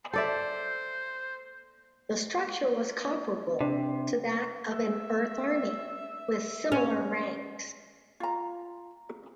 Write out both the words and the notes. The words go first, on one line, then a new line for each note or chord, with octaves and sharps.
The structure was comparable to that of an Earth army, with similar ranks.
A4 C5 D5 E5
C3 D4
E5
C#4
F4 A#5